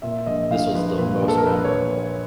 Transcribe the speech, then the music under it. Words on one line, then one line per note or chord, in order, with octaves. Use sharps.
this was the most memorable."
A#2 E5
A#1 D#5
A#1 F5
F3 B4
A#2 B4
A#1
A4
A#4
A#2 B4
C#5